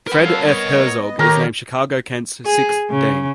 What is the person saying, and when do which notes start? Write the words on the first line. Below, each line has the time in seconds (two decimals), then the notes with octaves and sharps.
Fred F. Herzog is named Chicago-Kent's sixth dean.
0.07 A#4 B4 F#5
0.24 F#3 A4 F5
0.46 B3 C#5 D#5
1.19 D#3 G4 A#4 C#5 A#5
2.46 G#4
2.90 C#3